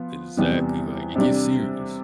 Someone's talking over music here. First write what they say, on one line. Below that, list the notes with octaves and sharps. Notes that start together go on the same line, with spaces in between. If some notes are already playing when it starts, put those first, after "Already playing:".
Exactly, like, it gets serious.
Already playing: F3 B3 F4
E2 C3 G3 B3
C3 G3 D4